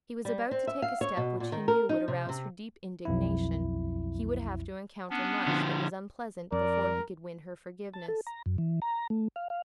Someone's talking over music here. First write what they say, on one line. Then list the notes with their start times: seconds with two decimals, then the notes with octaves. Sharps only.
He was about to take a step which he knew would arouse her deep indignation; he would have to encounter much that was unpleasant before he could win her forgiveness.
0.25 G3
0.51 C4
0.67 E5
0.82 F5
1.01 C#5
1.17 B2
1.40 A#2
1.52 D#3
1.68 A#4
1.89 D#4
2.08 C3
2.29 C3
3.05 B1 F2 E4
5.10 B3 C#4 D4
5.47 D3 F3
6.52 F2 A#4 D5
7.94 A5
8.08 A4
8.27 A#5
8.46 F#2
8.58 E3
8.82 A#5
9.10 A3
9.36 F5
9.50 F5